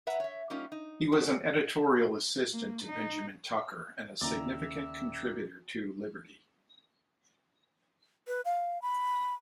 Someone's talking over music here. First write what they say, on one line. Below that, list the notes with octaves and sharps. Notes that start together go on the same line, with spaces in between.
He was an editorial assistant to Benjamin Tucker, and a significant contributor to "Liberty".
B4 E5 F#5 A#5
C#5 E5
G3 A#3 C#4 D#4 F4
D#4
B3 C#4 D4 F#4 G#4 C5
A#3
D#4
D#2 C#3 E4 D5 E5 A#5
B4
F5
B5